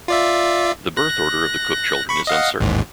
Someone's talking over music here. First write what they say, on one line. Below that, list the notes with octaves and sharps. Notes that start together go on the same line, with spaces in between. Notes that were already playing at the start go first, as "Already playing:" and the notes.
The birth order of the Cooke children is uncertain.
F4 D5 E5
F#6 A#6
B5 C#6
D#5 F5 F#5
A1 D#2 G#2